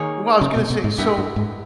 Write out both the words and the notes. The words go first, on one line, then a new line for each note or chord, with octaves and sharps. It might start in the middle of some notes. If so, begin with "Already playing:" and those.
Well, I was gonna say so
Already playing: D#3 A#3 D#4 G#4 C#5
C#3
B2
B2
G#2
G2 B3 E4 G4 A#4
G2
G#2